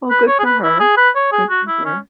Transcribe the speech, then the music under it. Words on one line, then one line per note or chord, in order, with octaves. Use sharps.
Well, good for her. Good for her.
B4
C#5
G#4
B4
E4
G#4
B4
C#5
G#4
F#4
E4
C#4